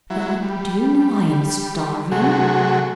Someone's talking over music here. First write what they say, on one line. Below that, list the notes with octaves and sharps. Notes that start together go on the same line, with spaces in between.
Philip, do you know I am starving?
F#3 E4
G3
C3 F#3 A3 F#4 G#4